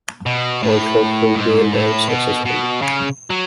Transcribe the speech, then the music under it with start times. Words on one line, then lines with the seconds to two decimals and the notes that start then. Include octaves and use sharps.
All four crew bailed out successfully.
0.26 B2
0.63 A2
1.35 G#2
1.72 A2
2.09 B2
2.45 B2
2.82 C#3
3.30 F#3